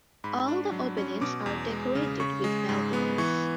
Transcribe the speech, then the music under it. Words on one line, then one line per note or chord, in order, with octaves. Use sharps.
All the openings are decorated with balconies.
G#2 B5
D4
F#3
C#4
B2 D6
E2
G#3
C#3
C#3 C#6
G#3
G#2
B3
E3 C#6